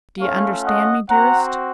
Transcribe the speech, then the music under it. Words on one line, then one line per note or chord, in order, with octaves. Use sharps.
Do you understand me, dearest?
A3 C#4 F4 C#5 F5
D#5 F#5
C4 F#4 F#5 A#5